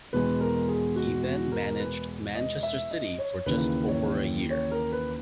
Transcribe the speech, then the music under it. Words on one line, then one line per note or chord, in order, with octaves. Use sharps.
He then managed Manchester City for just over a year.
E2 B2 G#3 B4
A#4
G#4
F#4
F#4
A#4
B4
D#5
E5
D#5
C#5
D#2 C#3 E3 A#3 B4
C#5
C#5
A#4
B4